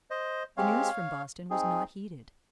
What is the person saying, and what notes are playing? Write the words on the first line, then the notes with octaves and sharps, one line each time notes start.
The news from Boston was not heeded.
C5 D#5
G#3 C4 G4 C#5 F5
C4 D#4 G#4